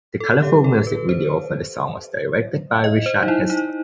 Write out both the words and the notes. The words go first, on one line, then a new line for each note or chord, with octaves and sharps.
The colorful music video for the song was directed by Richard Heslop.
A4
G4
A4
B4
C5
D#5
C5
D#4
E4
D#4